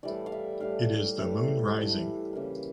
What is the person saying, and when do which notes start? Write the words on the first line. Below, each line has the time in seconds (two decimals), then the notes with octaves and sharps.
It is the moon rising.
0.03 A2 E3 G3 D5
0.26 F5
0.32 E5
0.60 A2 E3 G3 F5
1.18 A2 E3 G3
1.76 A2 E3 G3 E5
2.33 C#3 E3 A#3